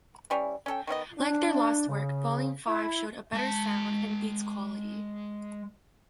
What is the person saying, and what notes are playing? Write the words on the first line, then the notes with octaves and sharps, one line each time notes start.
Like their last work, "Volume Five" showed a better sound and beats quality.
E3 G3 C#4
C#4 A4 G5
D#3 B3 E4 D#5
D4
C#3
E4
G#3 A5